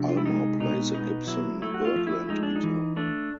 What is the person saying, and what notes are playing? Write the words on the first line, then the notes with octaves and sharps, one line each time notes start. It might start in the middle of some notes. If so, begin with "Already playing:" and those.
Ulmer plays a Gibson Byrdland guitar.
Already playing: C3 F3 D4
F4
E4
G#3 D#4
B2 D#4
B3 D#4
F#3 E4
A3 E4
F#4
F4
F3
E4
G#3 D#4
D4
D#4
E3
A3 D4